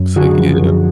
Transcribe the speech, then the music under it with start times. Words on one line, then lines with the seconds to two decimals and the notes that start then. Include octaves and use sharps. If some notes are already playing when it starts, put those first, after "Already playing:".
So, yeah.
Already playing: F#2
0.16 D3 F#4 G#4
0.39 F3
0.62 F#2